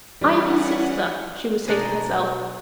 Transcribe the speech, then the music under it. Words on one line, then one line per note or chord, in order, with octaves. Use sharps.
"I am his sister," she would say to herself.
E3 G3 C#4 E4 A#4 F#5
B2 D4 D#4 G#4